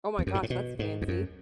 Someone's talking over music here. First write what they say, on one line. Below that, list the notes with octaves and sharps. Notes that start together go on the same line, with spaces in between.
Oh my gosh, that's fancy.
E2
F#2
G#2
A2
B2
G#2
E2
F#2